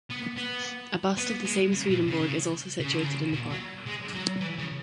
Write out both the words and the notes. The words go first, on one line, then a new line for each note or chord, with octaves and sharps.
A bust of the same Swedenborg is also situated in the park.
B3
B3
B3
G#3
C#3
B2
C#3
C#3
D3
C#3
B2
F#3
G#3
F#3
E3
C#3